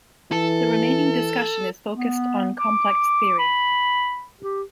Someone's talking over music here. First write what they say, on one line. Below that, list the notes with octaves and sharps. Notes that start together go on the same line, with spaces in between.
The remaining discussion is focussed on complex -theory.
E3 A4
B3
D6
B5
G4